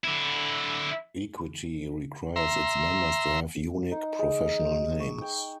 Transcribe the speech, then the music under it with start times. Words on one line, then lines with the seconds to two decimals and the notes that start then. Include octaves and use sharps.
Equity requires its members to have unique professional names.
0.04 D3 E4
2.36 E5 A#5 C6
3.92 D#4
4.19 G#3
5.00 C#6
5.21 G5